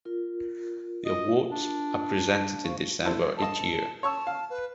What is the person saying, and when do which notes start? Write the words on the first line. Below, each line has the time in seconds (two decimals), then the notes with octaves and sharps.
The awards are presented in December each year.
0.05 F4 A#4
1.06 D#5
1.51 D4
2.63 C5 F5 C#6
3.05 E4 A4 C5
3.38 A4 D#5 A5
4.03 C#5 A5 C#6 E6
4.27 F5
4.50 B4